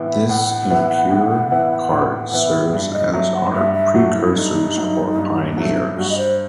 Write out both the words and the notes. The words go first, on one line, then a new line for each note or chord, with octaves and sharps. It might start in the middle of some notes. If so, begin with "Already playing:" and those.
This impure part serves as our precursors or pioneers.
Already playing: A2 E3 B3 E4
E5
A2 F#5
E3 B3 E4
A2
E3 B3 E4
A2
E3 B3 E4
G2 E5
D#5
F#3 A3 E5
F#5
G2 E5
E5
F#3 A3 F#4
E4
G2 D#4
F#3 A3
G2
F#3 A3
G2 F#4
D#5
C5